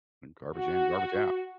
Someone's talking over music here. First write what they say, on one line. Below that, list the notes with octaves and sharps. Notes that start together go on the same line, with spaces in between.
"Garbage in, garbage out."
F#4